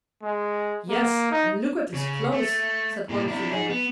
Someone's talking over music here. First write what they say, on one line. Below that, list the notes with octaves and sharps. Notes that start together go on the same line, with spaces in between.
"Yes, and look at his clothes," said one of the women.
G#3
A#3
D#4
C#3
A3
A2 A#3
D4 E4
D#4 G#4
B3